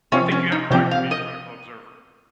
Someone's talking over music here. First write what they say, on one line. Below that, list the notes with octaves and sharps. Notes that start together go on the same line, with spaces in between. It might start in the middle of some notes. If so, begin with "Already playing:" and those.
I think you have a right to be a critical observer.
C3 F3 C4 C#4
C#4
D#4
C3 F3 C4 G4
F5
D#5